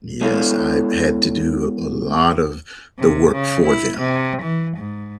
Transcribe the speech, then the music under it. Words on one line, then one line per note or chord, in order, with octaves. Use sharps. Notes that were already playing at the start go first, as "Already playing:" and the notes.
Yes, I've had to do a lot of the work for them,
G#3 B3 E4 A4 C#5 F5
C3
C#3
E4
C3
E3
G#2